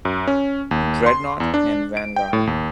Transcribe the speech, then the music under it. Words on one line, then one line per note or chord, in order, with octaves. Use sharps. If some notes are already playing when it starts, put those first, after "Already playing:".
"Dreadnought" and "Vanguard".
F#2
C#4
D#2
C6
E2
D4
D7
G5
A2
D#2